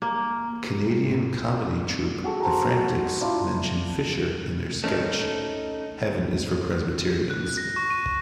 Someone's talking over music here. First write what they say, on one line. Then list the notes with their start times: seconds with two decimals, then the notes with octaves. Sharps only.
Canadian comedy troupe The Frantics mention Fisher in their sketch, "Heaven is for Presbyterians".
0.02 A#3
1.53 D5
2.24 F#4 G#4 A4
2.40 C5 A5 A#5
3.21 D4 E4 F4
4.84 A3 C#4 D#4 A4
7.30 F#6
7.57 A#6
7.76 C#6
7.90 D#7